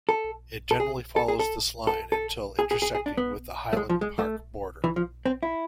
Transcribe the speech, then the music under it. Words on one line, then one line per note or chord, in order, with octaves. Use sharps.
It generally follows this line until intersecting with the Highland Park border.
A4
A4
G#4
A4
G#4
A4
A4
A4
G#4
G#4
G#4
G#4
D4
B3
A3
G#3
F3
G#3
A3
E3
F3
C4
E4